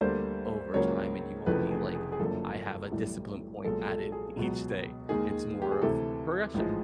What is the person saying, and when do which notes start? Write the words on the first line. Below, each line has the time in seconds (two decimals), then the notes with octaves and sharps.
over time, and you won't be like, "I have a discipline point added each day." It's more of progression,
0.01 D2 D3 G3 A#3 C5
0.74 C#2 C#3 F#3 A#3 C#5
1.46 F1 F2 C#3 E3 A3 B4
1.71 G#4
1.95 G#4
2.12 G#4
2.20 F#1 F#2 D3 F3 A#3 A4
2.91 B1 A2 E3 G3
3.64 B1 A#2 F3 G#3 A4
3.89 A4
4.12 G#4
4.37 C#2 B2 F#3
5.09 D#2 D#3 G#3 G#4
5.62 G4
5.72 G#4
5.82 D2 C3 E3 A4
6.54 A1 G#2 F3 G#3